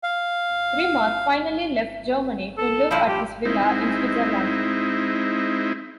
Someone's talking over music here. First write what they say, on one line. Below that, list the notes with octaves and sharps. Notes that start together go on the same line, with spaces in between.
Remarque finally left Germany to live at his villa in Switzerland.
F5
A4
G2 A#2 F3 E4
G4
G#3 C4 D#4 E4